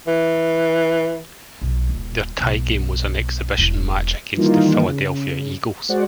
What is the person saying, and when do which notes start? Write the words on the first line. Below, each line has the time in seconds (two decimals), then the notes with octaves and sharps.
Their tie game was an exhibition match against the Philadelphia Eagles.
0.07 E3
1.61 B1
1.89 D#1
2.40 B1
3.58 E1 E4
4.37 D#3 E3 G3 A#3 D#4 F4
4.88 C#3
5.89 G#3 F#4 C5 D5 F#5